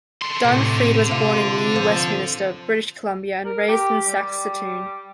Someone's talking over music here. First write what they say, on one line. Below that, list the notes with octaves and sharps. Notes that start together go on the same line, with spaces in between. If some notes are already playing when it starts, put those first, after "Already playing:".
Don Freed was born in New Westminster, British Columbia and raised in Saskatoon.
D3 C6
A2 C3
C3 F4
F3
A#4
G4
G3